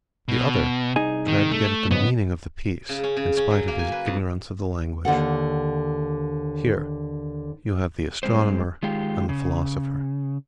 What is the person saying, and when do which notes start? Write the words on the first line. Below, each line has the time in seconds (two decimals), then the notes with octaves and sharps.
The other tried to get at the meaning of the piece in spite of his ignorance of the language. Here you have the Astronomer and the Philosopher.
0.28 B2
0.96 C2 D#4 G#4
1.28 D#3
1.52 A3
1.91 F2 G#2 C#3 B3
2.89 C#3
3.04 C#4
3.17 C#3
3.37 C#4
3.50 F#3
3.68 A#3
3.79 G#5
3.92 B4
4.06 F2
5.05 D#2 D3 A4 F#5
8.23 G2 A#2 G#3 C4 C5
8.83 D#3 G#3 F4 G4
9.29 C#3